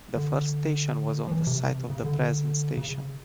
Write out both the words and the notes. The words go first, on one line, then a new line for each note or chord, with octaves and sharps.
The first station was on the site of the present station.
D3
F3
E3
C3
C#3
D3
C#3